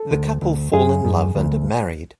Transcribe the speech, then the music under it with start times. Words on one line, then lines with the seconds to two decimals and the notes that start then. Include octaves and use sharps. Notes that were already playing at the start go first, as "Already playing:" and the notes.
The couple fall in love and are married.
Already playing: A4
0.11 D2
0.42 D2
0.73 F#2 G#4
1.04 F#2
1.35 D2